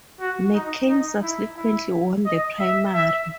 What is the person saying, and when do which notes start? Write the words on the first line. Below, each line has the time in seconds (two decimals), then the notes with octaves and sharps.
McCain subsequently won the primary.
0.20 F#4
0.54 D#4
0.89 D#4
1.22 E4
1.57 E4
2.26 D#5
2.60 E5
2.94 E5